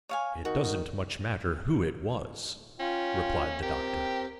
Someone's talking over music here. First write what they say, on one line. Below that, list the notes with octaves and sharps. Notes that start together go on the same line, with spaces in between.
"It doesn't much matter who it was," replied the doctor.
C#5 F5 G#5
D#3 F#4
C#4 F4 G5
C4 G4 A#4